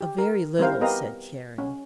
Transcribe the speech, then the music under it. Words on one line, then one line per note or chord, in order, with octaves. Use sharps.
"A very little," said Carrie.
G4
A#4
G3 C4 E4 A#4 C5 F5
B3 G4 A#4 D#5 F5 A#5
C#4